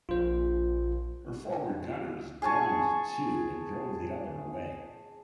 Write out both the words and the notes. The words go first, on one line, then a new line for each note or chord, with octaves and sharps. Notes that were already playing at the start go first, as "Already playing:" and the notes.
Her forward gunners downed two and drove the other away.
A#1 F4 C5
G#4 G#5 A5 C#6